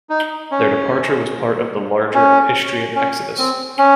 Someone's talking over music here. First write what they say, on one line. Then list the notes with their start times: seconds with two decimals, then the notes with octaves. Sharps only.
Their departure was part of the larger Istrian exodus.
0.10 D#4
0.51 C#4
2.14 C#4
2.96 C#4
3.38 C4
3.78 C#4